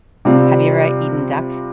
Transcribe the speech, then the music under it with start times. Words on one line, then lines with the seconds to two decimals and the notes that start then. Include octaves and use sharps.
Have you ever eaten duck?
0.25 C3 G3 C4 F4